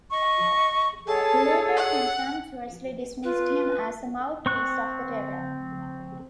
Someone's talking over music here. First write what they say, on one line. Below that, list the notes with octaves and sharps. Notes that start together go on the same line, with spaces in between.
Luther contemptuously dismissed him as a mouthpiece of the devil.
D#5 C#6
G#4 A4 C#5 A5
F#5
F4 B4
C4 C#6 F#6